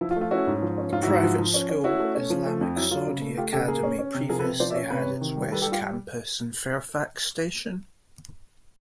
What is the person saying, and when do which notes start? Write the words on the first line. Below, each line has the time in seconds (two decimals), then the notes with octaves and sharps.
The private school Islamic Saudi Academy previously had its West Campus in Fairfax Station.
0.01 F3 E4
0.11 F4
0.16 A3
0.21 F4
0.31 C#4 E4 F#4
0.47 G#2
0.62 F3
0.78 C#4
0.92 G#2 F4
1.03 E4 F#4
1.08 G#2
1.13 E4 F#4
1.23 F3
1.39 F3
1.54 C#4
1.69 C#4
1.84 C#4 E4 F#4
2.00 A3
2.15 C#4
2.30 F3
2.46 A3
2.61 F2
2.76 F#3 E4
2.91 F#3 F4
3.07 C#3
3.22 A3
3.37 A3 F4 G4
3.52 C#3 G4 A4
3.68 A#3 G#4 A#4
3.83 C#4
3.99 C#4
4.14 C3
4.29 F3 G#4 A#4
4.39 A4 B4
4.45 C3
4.60 F3 C5 D5
4.70 D5 E5
4.75 C#4
4.90 C3 B4 C#5
5.06 C3
5.21 D#3
5.37 G3
5.51 G3 A4 B4
5.62 G4 A4
5.66 G3
5.72 F4 G4